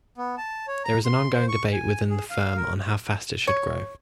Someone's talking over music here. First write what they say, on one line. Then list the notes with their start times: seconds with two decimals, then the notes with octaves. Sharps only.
There is an ongoing debate within the firm on how fast it should grow.
0.18 B3
0.38 A5
0.67 C#5
0.84 A#5
1.05 C6
1.33 C5
1.48 C#6
1.73 G#5
2.10 G#4
2.30 F5
2.56 A#4
3.47 C#5